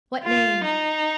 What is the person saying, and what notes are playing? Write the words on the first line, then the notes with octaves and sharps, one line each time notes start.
What name?
F4
D#4